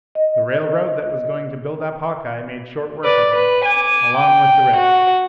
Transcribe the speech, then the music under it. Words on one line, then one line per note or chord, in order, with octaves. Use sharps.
The railroad that was going to build up Hawkeye made short work of him, along with the rest.
D#5
B4 D5
B4
G#5 D6
G5
F#4